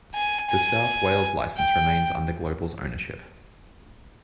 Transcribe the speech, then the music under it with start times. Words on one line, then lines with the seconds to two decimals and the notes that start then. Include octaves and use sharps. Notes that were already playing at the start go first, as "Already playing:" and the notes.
The South Wales licence remains under Global's ownership.
0.14 G#5
0.50 G#5
1.57 G5